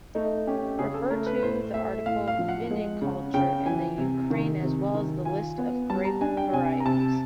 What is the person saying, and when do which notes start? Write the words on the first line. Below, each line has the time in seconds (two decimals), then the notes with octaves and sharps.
Refer to the article viniculture in the Ukraine as well as the list of grape varieties.
0.15 A3 D#4
0.47 C#4 G4
0.79 C#3 G#4
0.94 A4
1.10 A3 A#4
1.26 B4
1.42 A2 C5
1.74 A3 E5
2.06 A2 F5
2.28 F5
2.39 F3
2.48 F#5
2.70 G#3
3.02 C#3
3.34 C#3 G5
3.66 E3 G#5
3.98 C3
4.30 D#3
4.62 C3
4.94 D#3
5.25 F4 G#5
5.58 B3
5.90 G3 A5
6.05 A#5
6.21 D4 G#5
6.37 G5
6.50 G5
6.53 C3 G#5
6.80 A#5
6.86 C3 A5